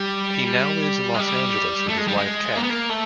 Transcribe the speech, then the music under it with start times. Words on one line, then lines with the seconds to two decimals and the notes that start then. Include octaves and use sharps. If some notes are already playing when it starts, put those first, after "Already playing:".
He now lives in Los Angeles with his wife Kat.
Already playing: G3
1.14 G#3
1.20 G3
1.88 A3
1.98 G#3
2.08 G3
2.18 G#3
2.56 A#3
2.63 B3
2.70 A#3
2.90 A3